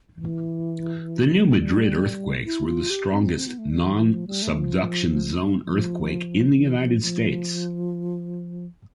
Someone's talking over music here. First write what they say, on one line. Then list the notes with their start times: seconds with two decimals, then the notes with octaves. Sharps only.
The New Madrid earthquakes were the strongest non-subduction zone earthquake in the United States.
0.16 E3
1.53 G3
2.45 E4
2.67 F4
2.90 G4
3.13 C4
3.36 C4
3.47 B3
3.58 A3
3.70 G3
3.81 E3
4.05 F3
4.27 G3
4.42 A3
4.58 F3
5.64 F3
6.56 E3
6.79 F3
7.02 F3